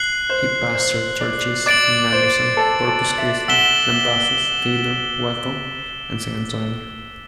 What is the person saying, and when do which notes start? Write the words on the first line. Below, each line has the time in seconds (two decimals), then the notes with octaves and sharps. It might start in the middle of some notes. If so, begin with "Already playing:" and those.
He pastored churches in Anderson, Corpus Christi, Lampasas, Taylor, Waco, and San Antonio.
Already playing: F#6 C7 F#7
0.30 C5
0.75 C5
1.21 D5
1.66 D5 D6 A6 D7 F#7
2.12 C5
2.57 A4
2.87 A4
3.18 E5
3.48 F#5 E6 B6 E7 G7